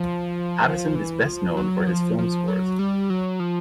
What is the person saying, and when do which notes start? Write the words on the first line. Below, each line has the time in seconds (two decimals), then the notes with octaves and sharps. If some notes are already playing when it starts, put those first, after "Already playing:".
Addison is best known for his film scores.
Already playing: F3
0.95 E3
1.26 F3
1.57 F#3
1.87 F3
2.18 F3
2.48 F#3
2.79 G3
3.10 F#3
3.40 F3